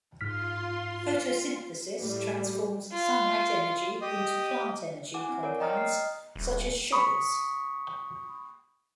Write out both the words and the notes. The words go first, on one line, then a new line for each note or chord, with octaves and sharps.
Photosynthesis transforms sunlight energy into plant energy compounds such as sugars.
G#2 F4 C6 F6 B6
A2 G3
F4
G4 D#5
E4 F#5 G#5 D6
C4
A#4 C#5 D5 D7
D#5 G5 A#5 D#6 F6
D#5 C7
D#1
B5 C#6 D#6